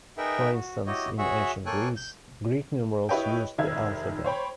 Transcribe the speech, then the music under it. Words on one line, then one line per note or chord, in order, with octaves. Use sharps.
For instance in Ancient Greece, Greek numerals used the alphabet.
D#4 G#4 A#4 B4 E5 G5
F#4
E4 F#4 G4 C#5 D#5
F#4 G#4 C#5 E5 F#5
A#3 A4 C#5 G5 G#5 F#6
G6
E4 G4 B4 C#5 D#5 G5
F1 D#3 E5 G#6
C5 C#5 G5 B5